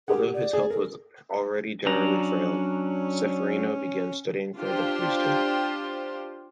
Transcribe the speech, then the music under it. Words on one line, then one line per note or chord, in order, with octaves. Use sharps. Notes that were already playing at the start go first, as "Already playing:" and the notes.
Although his health was already generally frail, Ceferino began studying for the priesthood.
G4 G#4 A#4 F#5
D5
G#4
A4 A#4
F#3 C#4 D4 A#5
D4 F4 G4 C5